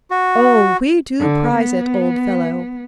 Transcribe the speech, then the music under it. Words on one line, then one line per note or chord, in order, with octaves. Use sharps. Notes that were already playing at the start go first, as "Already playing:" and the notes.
Oh, we do prize it, old fellow!
F#4
D3
B3